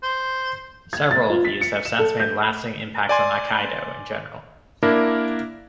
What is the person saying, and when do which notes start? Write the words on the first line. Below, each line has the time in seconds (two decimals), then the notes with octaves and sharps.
Several of these have since made lasting impacts on aikido in general.
0.03 C5
0.93 G#6
1.11 A6
1.30 F4
1.45 B6
1.61 C#7
1.85 E7
1.99 A4
2.20 G6
3.09 D5 G#5 C6
4.83 A#3 D4 E4 A#4